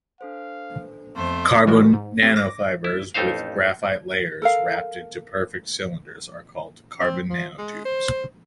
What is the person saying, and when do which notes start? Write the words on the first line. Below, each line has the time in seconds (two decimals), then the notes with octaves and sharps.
Carbon nanofibers with graphene layers wrapped into perfect cylinders are called carbon nanotubes.
0.21 D4 A4 C5 F5
1.16 F2 A3 B3 C4 C5
1.67 E3 G3 G#3 F4 F#4 A#4
1.93 G#2
2.23 C4 G4
2.36 D6 A#6
2.84 E4
3.14 A1 F2 A3 D#4 C5 F5
4.42 A4 A#4 F5
7.00 C4
7.30 F3
7.58 G#3
7.85 C5